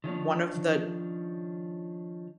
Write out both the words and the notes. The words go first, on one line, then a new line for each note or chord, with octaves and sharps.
one of the
D#3 F3 C#4 D4